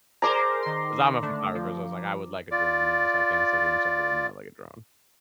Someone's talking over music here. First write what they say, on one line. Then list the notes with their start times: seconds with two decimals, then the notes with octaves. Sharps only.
'Cause I'm a photographer, so I was like I would like a drone, yes. I can't sit here and say I would not like a drone.
0.22 G#4 A#4 C5 D5 A#5
0.62 D#3 C6
1.22 D3 A3 D4
1.55 F3
2.51 F4 D5